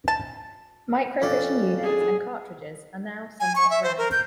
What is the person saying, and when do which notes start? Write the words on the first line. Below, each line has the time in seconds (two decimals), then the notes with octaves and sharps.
Microvision units and cartridges are now somewhat rare.
0.08 A5
1.22 F2 C#4 D5
1.83 G#4
3.40 G#5
3.56 C#6
3.70 E5
3.83 C5
3.98 A#4
4.12 G6